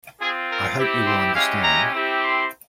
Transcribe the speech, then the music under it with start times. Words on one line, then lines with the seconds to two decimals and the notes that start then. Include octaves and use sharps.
I hope you will understand.
0.21 C4 F4 G#4
0.49 A#4
0.77 C4 E4 G4
1.07 C5
1.34 G#3 C#4 E4 G4 F5
1.64 A#5
1.92 C4 E4 G4
2.20 C6